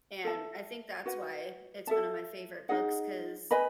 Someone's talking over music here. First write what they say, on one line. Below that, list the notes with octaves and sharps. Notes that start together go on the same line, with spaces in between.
And I think that's why it's one a my favorite books 'cause
A4 E5 A5
F#4 B4 F#5
A4 E5 A5
D#4 G#4 D#5 F#5
B4 D#5 G#5 B5